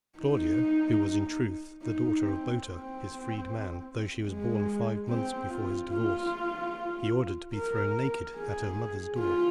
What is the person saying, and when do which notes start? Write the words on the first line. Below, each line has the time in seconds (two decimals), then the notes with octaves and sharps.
Claudia, who was, in truth, the daughter of Boter his freedman, though she was born five months before his divorce, he ordered to be thrown naked at her mother's door.
0.18 D#4
1.82 D#4
2.22 C4
2.64 C4
4.27 G#3
5.09 C4
5.49 F4
5.90 F4
7.54 A#4
8.35 G#4
9.17 F4